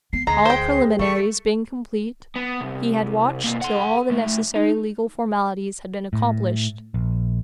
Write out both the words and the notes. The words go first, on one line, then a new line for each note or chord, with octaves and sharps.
All preliminaries being complete, he had watched till all the necessary legal formalities had been accomplished.
B3 C7
D2 G#3 A#5 C7
C5 G5
G3 A3 C#6
B3
C2
B2 A#3
F#5 C6
B1 A3
D#4
A2
A#1